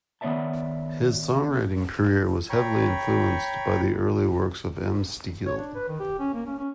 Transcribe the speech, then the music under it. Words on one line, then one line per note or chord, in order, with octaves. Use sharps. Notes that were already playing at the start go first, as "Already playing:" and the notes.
His songwriting career was heavily influenced by the early works of M-Steel.
D#3 B3 C#5 D5 E5 A5
C#5 G5 A#5 B5 C#6
C#5
D4
B4
D#3
G4
C#4
A#3
C#4
C#4